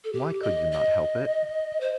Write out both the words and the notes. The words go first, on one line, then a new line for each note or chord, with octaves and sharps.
Why could you not help it?
A4
G4
D#5
D#5
C5